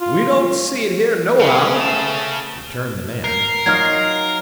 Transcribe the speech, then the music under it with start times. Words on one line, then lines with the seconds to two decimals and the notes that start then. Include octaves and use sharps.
"We don't see it here nohow," returned the man.
0.01 F4
1.40 C#3 B4 F5
1.73 A3
3.24 A#4 C7
3.66 F#3 D#4 F4 F6 G#6